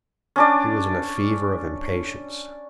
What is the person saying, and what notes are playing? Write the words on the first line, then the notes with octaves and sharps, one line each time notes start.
He was in a fever of impatience.
C#4 D4 D5